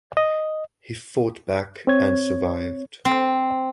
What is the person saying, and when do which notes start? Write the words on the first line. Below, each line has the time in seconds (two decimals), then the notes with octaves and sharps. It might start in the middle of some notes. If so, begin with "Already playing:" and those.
He fought back and survived.
0.17 D#5
1.87 C4 C#5 G#6
3.05 C4